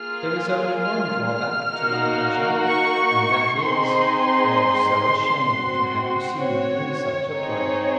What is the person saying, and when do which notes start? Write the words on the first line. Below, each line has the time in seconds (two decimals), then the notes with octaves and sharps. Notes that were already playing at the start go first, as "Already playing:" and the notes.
There is only one drawback to my pleasure, and that is, I am so ashamed to have you see me in such a plight.
Already playing: A#3 F4 G#4 F6
0.79 F6
1.27 F6
1.73 A#3 D#4 F#4
2.66 C#6
3.59 C4 D#4 G#4 C6
5.45 C4 F#4
6.38 C#5
7.31 C4 D#4 G#4 C#5